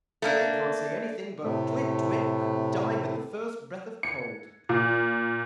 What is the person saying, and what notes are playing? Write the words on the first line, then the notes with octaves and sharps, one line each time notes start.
They can't say anything but "twit, twit," and die with the first breath of cold.'
A3 A#3 D4
A2 C3 A3
C#7
A#2